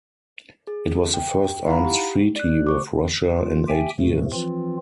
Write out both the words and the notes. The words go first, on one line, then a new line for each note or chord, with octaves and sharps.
It was the first arms treaty with Russia in eight years.
G#4
G5
D#4 E4 F5 F#5 A#5 B5
G4
D5 F#6
C5 C#6 D6
F4
G4 E5 G5 G#5
E2 A2 C3 F3 A3
E3 F3 C4 F4